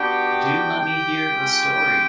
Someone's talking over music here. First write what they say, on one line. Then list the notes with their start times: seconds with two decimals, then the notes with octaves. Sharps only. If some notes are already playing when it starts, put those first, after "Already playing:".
Do let me hear the story!
Already playing: B3 D4 F#4 G4 G5
0.79 G4 G5
1.31 G#3 C#4 F4